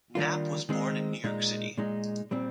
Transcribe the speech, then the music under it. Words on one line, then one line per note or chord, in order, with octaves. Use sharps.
Knapp was born in New York City.
D#3 G3 A#3 D4 F4
D#3 G#3 C4 D#4
A#2 G#3 D#4
A#2 G#3 D#4
A#2 G3 C4